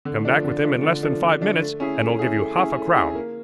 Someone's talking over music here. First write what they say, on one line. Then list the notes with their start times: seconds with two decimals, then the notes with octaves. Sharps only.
Come back with him in less than five minutes, and I'll give you half-a-crown!'
0.05 D3
0.25 F3 A3 D4
0.44 D3
0.64 F3 A3 D4
0.83 D3
1.03 F3 A3 D4
1.22 D3
1.41 F3 A3 D4
1.60 A3
1.80 C#4 E4 G#4
1.99 A3
2.19 C#4 E4 G#4
2.38 A3
2.57 C#4 E4 G#4
2.77 A3
2.96 C#4 E4 G#4
3.15 A#3